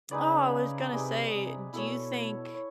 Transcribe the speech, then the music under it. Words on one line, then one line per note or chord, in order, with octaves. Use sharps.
Oh, I was gonna say, do you think
C#3 D#4 G#4 B4 D5
C3 D#4 G#4 B4 D5
C3
B2 E4 A4 C#5
C#5